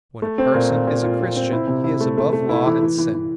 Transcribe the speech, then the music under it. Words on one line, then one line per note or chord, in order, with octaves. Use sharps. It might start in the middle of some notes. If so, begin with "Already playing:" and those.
When a person is a Christian he is above law and sin.
A3
C4
A#2
A#2
A#2
F4
C4
C4
E4
C3
E4
A3
A3
A3
E4
E3
E3
E3
E3